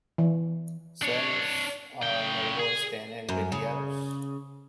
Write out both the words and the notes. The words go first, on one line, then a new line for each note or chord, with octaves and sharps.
Sailors are no worse than anybody else.
E3
D4 C#5
C#3 G5
G#4
F#2
C#3